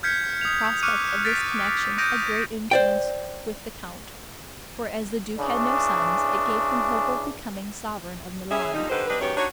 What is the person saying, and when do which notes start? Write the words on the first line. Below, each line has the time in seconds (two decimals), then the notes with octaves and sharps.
The prospect of this connection had great influence with the count, for, as the duke had no sons, it gave him hope of becoming sovereign of Milan.
0.03 F6 G6 G#6 B6 C#7
0.41 D#6 F7
0.83 C#6 D6 F6 F#6 C#7 D#7
1.24 F#6 A6 B6 D7
1.98 D6 D#6 G6 A#6 D7 D#7
2.71 C5 D5 G5
5.39 C#3 E3 D4
8.50 C#4 G#4 E5
8.74 A#2 D3 G3 D#4
8.90 D3 D#3 D#4 G4 B4 C5
9.08 G2 C4 D4 D#4 B4
9.21 F#2 D#3 B3 G4 C#5
9.37 D4 D#4 F#4 C#5